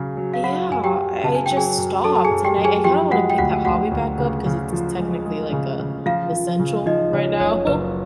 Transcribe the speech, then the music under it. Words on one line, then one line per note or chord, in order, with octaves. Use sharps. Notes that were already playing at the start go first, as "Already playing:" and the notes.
yeah, I I just stopped, and I I kind of want to pick that hobby back up 'cause it's c technically like a an essential right now.
Already playing: C#3 F#3 G#4 G#5
F#3
F5
F#3 F#4 F#5
F#2 G#5
G4 G5
F#3
C#3 A5
G#5
F#3 G5
G#4 G#5
F#2
F#3 A4 A5
A5
G#4 G#5
F#2
G4 G5
F#2
G#4 G#5
F3 G4 G5
G#3 F#4 F#5
G5
D2 F#4 F#5
D2 F#4 F#5
D2
C#3
C#3
F3
G#3
G#3
C#3
C#3
F3 F4 F5
F3
C#3
F3 D#4 D#5
C#3 C#5
F#1 C#5
F#1 B4